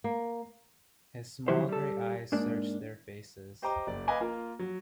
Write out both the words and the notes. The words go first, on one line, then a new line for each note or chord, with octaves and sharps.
His small grey eyes searched their faces.
A#3
D#3 F3 F#3 E4 G4 C5
G3 A4
G#2 A#3 D4
G4 C5 D#5 G5 A#5 D6
F#1 D5
B4 D#5 F5 G#5 B5 D6
A#3 F4 A#4
F#3